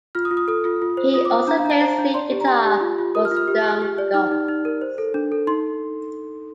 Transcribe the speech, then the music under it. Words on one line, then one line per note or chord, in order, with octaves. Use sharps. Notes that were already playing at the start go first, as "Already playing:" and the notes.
He also plays lead guitar for Stone Gods.
F4 F6
D#6
F4
D#6
A4 D#6
F4
F4
C5
F4 D#6
D6
C5
D4 A#5
F5
D4 A#5
A5
C5 A#5
D4
D5 C6
G4
A#5
G4 C6
G4
F4
F4
A#4 D#6
F6
F4
F6
G4
G4
G4
D5
D#4 F6
D#4
D#4
A#4
C5
A4
D4
A4
D#4 C6